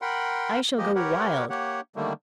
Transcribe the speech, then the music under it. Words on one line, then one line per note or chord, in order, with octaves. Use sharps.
I shall go wild!
A#4 F#5 G5 B5 C6
F3 G#3 A#3 G4 D#5
G4 A#4 B4 C#5 F#5
A#3 G4 C#5 F#5
D3 D#3 G3 A3 A#3